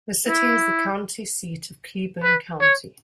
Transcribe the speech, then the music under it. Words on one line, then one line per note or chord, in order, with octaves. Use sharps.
The city is the county seat of Cleburne County.
E4
B4
C#5